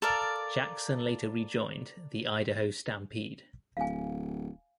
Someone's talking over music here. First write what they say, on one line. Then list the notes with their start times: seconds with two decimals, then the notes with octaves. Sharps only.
Jackson later rejoined the Idaho Stampede.
0.02 A4 A#4 D5 F5
3.77 D1 F5 G#5